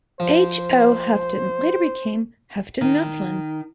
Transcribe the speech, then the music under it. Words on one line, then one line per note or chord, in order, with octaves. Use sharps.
H. O. Houghton later became Houghton Mifflin.
F3 C5
D#3